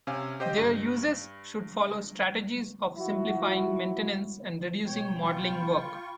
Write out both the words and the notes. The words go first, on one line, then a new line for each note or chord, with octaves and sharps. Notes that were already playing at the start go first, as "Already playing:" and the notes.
Their usage should follow strategies of simplifying maintenance and reducing modeling work.
C3 C#4 F5 G#5
G4 C5 D#5 G5
G2
F3 E4 F#4
B2 B3 C#5 G5
F4 B5 C#6